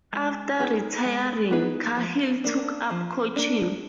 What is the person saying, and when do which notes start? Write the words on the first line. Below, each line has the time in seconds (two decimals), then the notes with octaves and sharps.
After retiring, Cahill took up coaching.
0.13 G#3
0.59 B3 D#4 G#4 B4
1.05 G#3
1.51 B3 D#4 G#4 B4
1.97 F3
2.44 A#3 D4
2.91 F3
3.36 A#3 D4